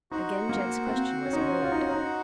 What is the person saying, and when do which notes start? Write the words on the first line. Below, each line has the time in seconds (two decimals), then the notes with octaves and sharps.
Again Jed's question was ignored.
0.11 D#4 F#4 C5 F#5
0.49 A#3
0.87 C4
1.25 C#4
1.33 D#4
1.41 C#4
1.62 F4
1.72 D#4
1.81 C#4
1.92 D#4